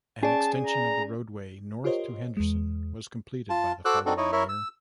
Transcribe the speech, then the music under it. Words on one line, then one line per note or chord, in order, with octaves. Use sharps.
An extension of the roadway north to Henderson was completed by the following year.
C#4 G#4 D5 A5
A#5
F4 G4 A#4 C5 C#5 D#5
E2 G#3
F4 A5
F#4 A4 C5 D6 E6 F#6
C4 D4 D#4 F#4 A4
D#4 E4 C#5 D#5
E4 A#4 C#5 E5
E6